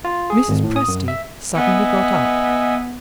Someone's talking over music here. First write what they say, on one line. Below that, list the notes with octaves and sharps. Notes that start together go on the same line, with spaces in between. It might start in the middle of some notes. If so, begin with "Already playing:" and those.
Mrs. Presty suddenly got up.
F4
G#4
G#1
A2
D#6
F#2
E5
B3 D#5 E5 G#5